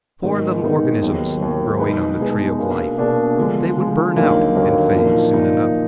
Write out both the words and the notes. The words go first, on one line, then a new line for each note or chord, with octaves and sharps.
Poor little organisms growing on the tree of life--they would burn out and fade soon enough.
G#2 D#3 G#3 B3 D#4
G#2 D#3 G#3 B3 D#4
D#2 D#3 F#3
D#2 D#3 F#3
B2 G#3 D#4 G#4 B4
B2 G#3 D#4 G#4 B4
B2 A#3 D4 G#4
B2 A#3 D4 G#4
D3 F3 G#3
D3 F3 G#3
D#2 D3 F#3 A#3 D#4
D#2 D3 F#3 A#3 D#4
A#2 F3 A#3 D#4
A#2 F3 A#3 D#4